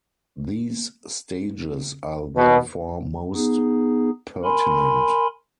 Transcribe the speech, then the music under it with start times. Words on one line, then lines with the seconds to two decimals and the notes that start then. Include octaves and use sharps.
These stages are therefore most pertinent.
2.36 B2
3.34 B3 D#4 G#4
4.44 A#4 G#5 B5 C6